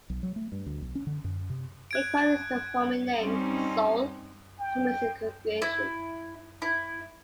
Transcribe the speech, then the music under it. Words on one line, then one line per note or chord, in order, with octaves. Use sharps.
He acquired his performing name, "Soul," from his congregation.
B1
F#3
A3
G2
D2
B1
C#4
D3
F#2
C3
F#6 G#6 D7
G3 C4 C#4 D#4
G5
E4
E4